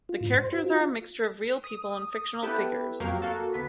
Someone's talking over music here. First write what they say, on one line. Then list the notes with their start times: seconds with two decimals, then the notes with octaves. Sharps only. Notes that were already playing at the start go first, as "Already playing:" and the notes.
The characters are a mixture of real people and fictional figures.
0.09 F4
0.21 G#2
0.38 C5
0.53 F#4
0.66 F4
1.64 D#6
2.43 B3 E4 G4 A4 B4
3.00 F2 F#3 A#3 G4 F5
3.22 A#3 F#4 A4
3.53 D2 B3 B6